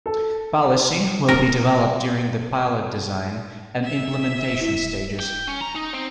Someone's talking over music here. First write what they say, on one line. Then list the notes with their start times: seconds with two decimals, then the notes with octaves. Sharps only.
Policy will be developed during the pilot design and implementation stages.
0.06 A4
1.29 A#4
3.84 E5
4.61 E4
5.19 G5
5.47 C#4
5.61 A#5
5.75 D#4
5.94 C4